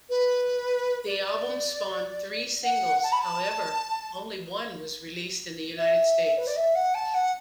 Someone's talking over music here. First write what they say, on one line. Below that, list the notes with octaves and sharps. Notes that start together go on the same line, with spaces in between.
The album spawned three singles, however only one was released in the United States.
B4
D5
F#5
A5
B5
A5
E5
B4
D5
E5
F#5
A5
F#5